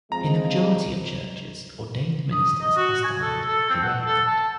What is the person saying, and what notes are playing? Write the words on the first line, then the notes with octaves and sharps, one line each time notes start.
In the majority of churches, ordained ministers are styled "The Reverend".
F3 G#3 C4 A#5
D#6
D#5
F#4
G#5
A4
A4
C4
F#5
A4
A5